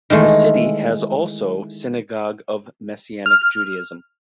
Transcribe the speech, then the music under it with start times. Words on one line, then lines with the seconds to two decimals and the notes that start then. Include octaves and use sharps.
The city has also synagogue of Messianic Judaism.
0.10 D#3 E3 G#3 A3
3.26 F6